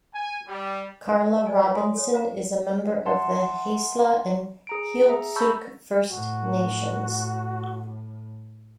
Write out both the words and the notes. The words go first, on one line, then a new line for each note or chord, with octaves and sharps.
Carla Robinson is a member of the Haisla and Heiltsuk First Nations.
G#5
G3
C5 D5 D#5 G#5 A5
F4 C5 C#5
G#5 C6 D#6
A4 C#5
C5 F5 F#5 A#5
E5 F#5 A5 C6
G#4 A#5 D7
G#4 E5 A#5
A5 B5 C#6 E6 G6
A2 F#4